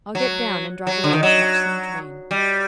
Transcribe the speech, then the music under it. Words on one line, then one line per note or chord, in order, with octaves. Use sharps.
I'll get down and drive away to catch some train.
F#3
F#3
D3
D#3
F#3
G3